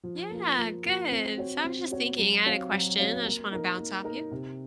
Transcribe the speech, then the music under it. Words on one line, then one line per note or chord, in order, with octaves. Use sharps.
Yeah, good. So, I was just thinking. I had a question I just wanna bounce off you.
F3
A#3 F4
F3
A#3 F4
C4
F#4 C#5
C4
F#4 C#5
F#3
C4 F#4 C#5 F5
F#3
C4 F#4 C#5 F5
A#3
D#4 A#4
A#3
D#4 A#4
C3